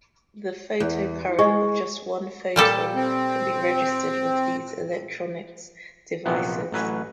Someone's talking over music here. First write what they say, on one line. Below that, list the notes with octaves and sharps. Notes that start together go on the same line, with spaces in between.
The photocurrent of just one photon can be registered with these electronics devices.
E2
G#3 D#5 C#6
A#2 G3 A4
C4
A#1 C3 F#3 B3
A1 F#3 B4 G#5